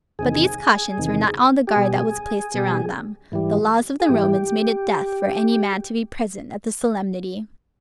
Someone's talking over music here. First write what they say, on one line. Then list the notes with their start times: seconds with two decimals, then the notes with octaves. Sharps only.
But these cautions were not all the guard that was placed around them; The laws of the Romans made it death for any man to be present at the solemnity.
0.19 E2 C3 D#3 G#4
0.98 E2 C3 D#3
1.67 G4
1.76 B2 G3 G#4
2.54 B2 G3
3.32 G#2 E3 G3
4.00 G#4
4.09 G#2 E3 G3 G4